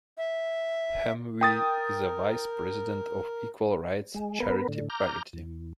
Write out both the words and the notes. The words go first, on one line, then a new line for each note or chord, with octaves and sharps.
Hamwee is a vice president of equal rights charity Parity.
E5
A#4 G5 D#6 A6
G#3
B3 A#4 B4
A2 D3
A#5 D6 F6 G6
E2